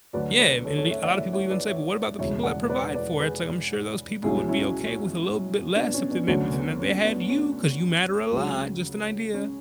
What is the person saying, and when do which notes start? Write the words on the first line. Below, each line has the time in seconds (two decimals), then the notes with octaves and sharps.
Yeah, and the a lot of people even say, "But, what about the people that provide for it?" It's like, "I'm sure those people would be okay with a little bit less if they meant if it meant they had you 'cause you matter a lot. Just an idea."
0.13 D2 D3 F#3 B4 D5
0.39 B4 D5
0.64 A4 C#5
0.77 A4 C#5
0.90 C#5 E5
1.03 D5 F#5
1.16 C#5 E5
1.33 C#5 E5
1.50 B4 D5
1.67 C#5 E5
2.19 E1 E2 C#3 F#3 C#5 E5
2.43 D5 F#5
2.70 B4 D5
2.95 B4 D5
3.20 G#4 B4
4.23 C#2 B2 F#3 E4 G#4
4.48 C#4 E4
5.76 B3 D4
5.94 C#4
6.11 B3 D4
6.28 D2 D3 F#3 C#4
6.53 B3
6.79 C#4
7.04 B3 D4
7.29 C#4
8.32 C#2 C#3 F#3
9.34 C#4